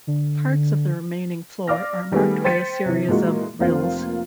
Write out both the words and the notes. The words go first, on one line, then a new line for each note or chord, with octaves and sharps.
Parts of the remaining floor are marked by a series of rilles.
D3
D5 F5 D6 F6 A#6
D#3 G3 A3 B3 G4 G#4
C5 G5 A6 B6 C#7 D#7
C3 E3
A#2 E3 G#3 A#3 F#4
F1 A#3 C4 F4